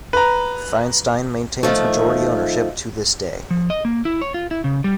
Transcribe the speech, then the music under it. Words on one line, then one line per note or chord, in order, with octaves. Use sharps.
Feinstein maintains majority ownership to this day.
B4 A#5
D#3 F3 A3
F3
D#5
A#3
E4
C#5
F4
E4
C#3
G3